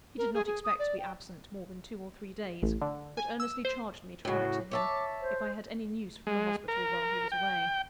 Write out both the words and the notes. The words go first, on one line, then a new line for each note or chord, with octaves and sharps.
He did not expect to be absent more than two or three days; but earnestly charged me to write to him, if I had any news from the hospital while he was away.
A#4
G#4
G#4
D#6
D5
G5
A1
D3
G#5
E6
C5
A2 C#3 F#4
C#5 E5 A5 D6
C5
G#3
A#4
G5